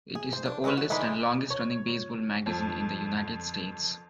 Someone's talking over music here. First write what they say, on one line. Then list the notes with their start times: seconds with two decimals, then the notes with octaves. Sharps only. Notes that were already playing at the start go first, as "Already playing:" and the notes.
It is the oldest and longest-running baseball magazine in the United States.
0.15 G#4
0.33 C5
0.46 D4
0.64 G#3 C4 F#4 B4 C#5
0.77 F#4
0.90 E3 G#3 D4 D#4 B5
1.50 C#5
2.46 F2